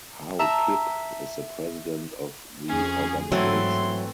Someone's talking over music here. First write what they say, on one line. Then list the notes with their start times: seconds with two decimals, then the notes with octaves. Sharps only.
Haokip is the president of the organisation.
0.39 E5 A5 A#5
2.69 F2 C#4 G#4
3.32 G#2 E3 F#3 A3 C4 C6